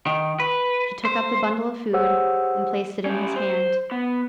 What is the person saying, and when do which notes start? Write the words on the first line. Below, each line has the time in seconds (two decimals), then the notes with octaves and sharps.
She took up the bundle of food and placed it in his hand.
0.06 D#3
0.40 B4
1.05 C5
1.93 G4 G#4 C5 C#5 F#5 E6
3.06 C#4 G4
3.36 C5
3.91 B3